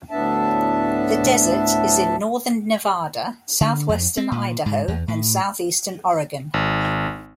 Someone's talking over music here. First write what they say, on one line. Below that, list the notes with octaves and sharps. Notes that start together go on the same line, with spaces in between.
The desert is in northern Nevada, southwestern Idaho and southeastern Oregon.
D2 A2 B3 D4 E5 A5
D3
F2
C4
A#2
G#2
E2
A2
G#1